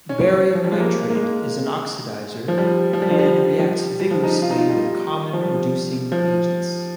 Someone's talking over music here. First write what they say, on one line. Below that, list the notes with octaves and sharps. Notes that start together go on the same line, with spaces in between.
Barium nitrate is an oxidizer and reacts vigorously with common reducing agents.
C#4
F3
G3
G#3
A#3
A#3
G#3
F3
G3
F3
G3
F3
G3
F3
G3
G3
F3
D#4
F4
D#4
F4
G3
F3
G3
F3